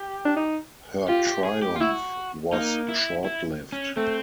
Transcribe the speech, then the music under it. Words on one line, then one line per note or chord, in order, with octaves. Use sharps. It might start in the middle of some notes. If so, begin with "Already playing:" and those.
Her triumph was short-lived.
Already playing: G4
D4
D#4
F4 G4
G4
G#4
G4
F4
E4 F#4
A#3 D#4
E4
E4
C#4
A3 C4